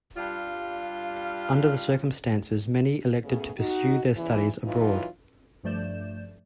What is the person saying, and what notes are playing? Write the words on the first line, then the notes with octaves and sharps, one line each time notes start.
Under the circumstances many elected to pursue their studies abroad.
G2 G3 F4
C#3 A3 B3 C#4 G#4
D#4 F#4
E2 C#3 E3
E3 F#3 D#4 F4
G2 F3 A3 D5 G6 E7